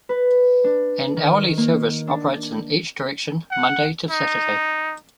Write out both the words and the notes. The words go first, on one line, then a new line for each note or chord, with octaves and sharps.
An hourly service operates in each direction Monday-Saturday.
B4
D4
D#3
A#3
D4
F#5
D#4